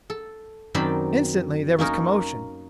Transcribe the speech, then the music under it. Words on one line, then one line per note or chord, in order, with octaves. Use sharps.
Instantly there was commotion.
A4
F#2 D#3 C4 D5 A5 B5
A#3 C#4 D#4 A#4